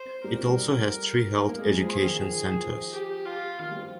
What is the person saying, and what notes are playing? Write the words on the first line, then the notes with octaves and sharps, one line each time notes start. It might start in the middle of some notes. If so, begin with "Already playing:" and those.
It also has three health education centers.
Already playing: C5
G3 A#4
F3
G3
A#3
G#3 G#4
G3
F3
D#3
F3
D#3
F3
G4
F4
D#3
G3
F3